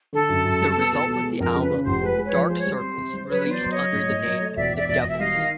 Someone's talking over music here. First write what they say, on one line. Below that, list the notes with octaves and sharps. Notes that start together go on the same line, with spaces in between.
The result was the album "Dark Circles," released under the name The Devils.
D3 A4
F#2
F#2
G3
B3
B2
B2
G#3
F2 A#4
C#3
B4
C#3
F1 C5
G#3 B4
G#3
B4 C#5
F3
G#3 C5
C#5
G3
C5
C4
C3
G3
F#3 B4 C#5
B3 C5 D5
F#3
C#5 D#5
F#3
A2
A2
F#3
A3
E1 D5 E5
E1 D5 E5
E1 D5
E1 D#5
E5
G3 D#5 F5
D#3